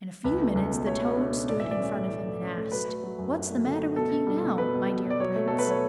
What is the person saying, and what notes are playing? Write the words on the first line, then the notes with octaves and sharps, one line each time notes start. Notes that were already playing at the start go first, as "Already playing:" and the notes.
In a few minutes the toad stood in front of him and asked, 'What's the matter with you now, my dear Prince?'
C#2 B4
A3
C#2
B2
A3 C#5
B2
D4
B2
A2 D5
E3 E5
D5
C#4
A2
E3
A2
C#4
A3
F#3 B4
A3
F#3
F#2
F#3
A3
D3
A3
B2 A4
B2
G3
B2
B2 B4
B2
B2
B2
D5
F#3 C#5
A3
B2 A4
B4
F#3 C#5